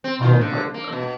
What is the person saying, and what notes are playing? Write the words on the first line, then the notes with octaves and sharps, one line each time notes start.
Oh my god.
C4
D#3 F4
D3
A#3
F2 B2